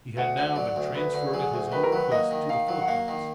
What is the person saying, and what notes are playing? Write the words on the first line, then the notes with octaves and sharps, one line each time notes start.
He had now been transferred at his own request to the Philippines.
D2 F#5
D3
F#3 D5
D2
D2 B4
D3
F#3 G#4
D2
D#3 B4
A#4
F#3 B4
A#3 D#5
D#3
D#3 F5
F#3
F#5
A#3 F5
D#3